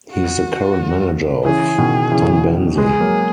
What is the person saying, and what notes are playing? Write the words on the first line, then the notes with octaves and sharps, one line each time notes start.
He is the current manager of Tombense.
F#4
C#3 E3 G#4
B2 D#3
C#3 E3
G#3 B3 G#4
F#3 A#3